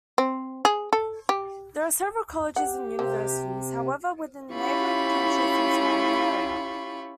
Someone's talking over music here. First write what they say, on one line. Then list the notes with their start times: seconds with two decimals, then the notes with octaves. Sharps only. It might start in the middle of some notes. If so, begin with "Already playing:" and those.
There are several colleges and universities, however, within the neighboring counties and surrounding area.
0.18 C4
0.65 G#4
0.93 A4
1.29 G4
2.56 G4 F#5
2.99 C3 A#3 C4
4.53 C#4 E4 F4 G4 B5 C#6